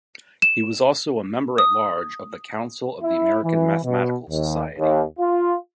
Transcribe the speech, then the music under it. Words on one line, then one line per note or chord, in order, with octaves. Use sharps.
He was also a Member-at-Large of the Council of the American Mathematical Society.
E7
D#6
E4
E3
B2
D#2
D#2
F4